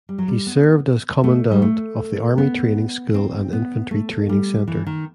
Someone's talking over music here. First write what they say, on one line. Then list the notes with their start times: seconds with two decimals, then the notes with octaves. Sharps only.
He served as Commandant of the Army Training School and the Infantry Training Centre.
0.09 G3
0.18 F#3
0.28 G3
0.47 B3
1.24 A3
1.52 G3
1.62 A3
2.38 B3
3.14 C4
3.53 B3
3.91 A3
4.29 G3
4.68 E3
4.86 D#3